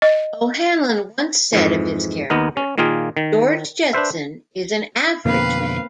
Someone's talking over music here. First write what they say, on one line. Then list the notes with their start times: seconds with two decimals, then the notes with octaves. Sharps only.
O'Hanlon once said of his character: George Jetson is an average man.
0.02 D#5
1.53 F2 G#2 E3
2.30 D#2 B3 D#4 A#4
2.57 C#4
2.78 A#2 D#3 A#3 F4 G#4
3.17 D#3
3.93 D4 B4 C5 E5
5.25 F2 B2 D3 A#3 C4 A#4 B4 F5